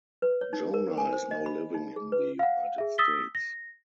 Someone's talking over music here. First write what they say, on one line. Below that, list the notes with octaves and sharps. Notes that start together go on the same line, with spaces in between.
Jona is now living in the United States.
B4
C#5
D#4
A#4
G#5
C5
D#5
B5
D#4
G#4
B4
F5 F#5
G#4 E5
D#6 E6 A6 B6 G7
A#6